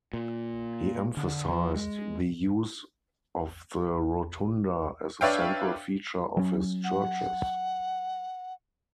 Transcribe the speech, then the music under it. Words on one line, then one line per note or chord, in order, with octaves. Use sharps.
He emphasized the use of the rotunda as a central feature of his churches.
A#2
D3
F3
G#3
D4 B4 C#5 E5 F5 G5
F#3 C#4
F#5